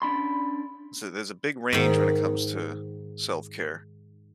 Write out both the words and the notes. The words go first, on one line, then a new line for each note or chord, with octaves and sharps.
so there's a big range when it comes to self-care.
C#4 D4 B5 C6
G#2 D#3